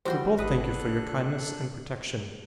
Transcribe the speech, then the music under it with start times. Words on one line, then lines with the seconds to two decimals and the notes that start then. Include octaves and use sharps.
We both thank you for your kindness and protection.
0.05 E2 G3 F#4 C5 G5 C6
0.38 G#1 D4 A4 B4 D#6 F#6